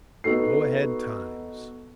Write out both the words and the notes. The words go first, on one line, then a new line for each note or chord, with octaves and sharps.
Go-ahead Times!
B3 D#4 F#4 A4 C7